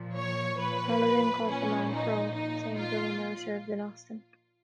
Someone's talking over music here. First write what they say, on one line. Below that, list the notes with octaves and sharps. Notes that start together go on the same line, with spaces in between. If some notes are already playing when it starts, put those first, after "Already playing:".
Paladin calls the man a fraud, saying Dillon never served in Austin.
Already playing: A#2 F3
C#5
A#2 F3 B4
A#2 F3 C#4
D#4
A#2 F3 D#4
F4